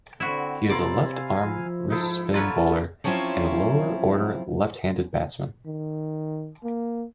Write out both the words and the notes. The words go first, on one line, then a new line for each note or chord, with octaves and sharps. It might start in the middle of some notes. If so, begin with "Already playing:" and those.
He is a left-arm wrist spin bowler, and a lower-order left-handed batsman.
D3 C4 E4 F#4
C3 B3 E4 F4 A4 D5 A#5 C6
F5 G#5
F3
G#2 D#4 E4 A4
D3 F4 B4 C#5 D5 A5 A#5
F3 F#3 C4 C#4 E4 F4
D#3
A#3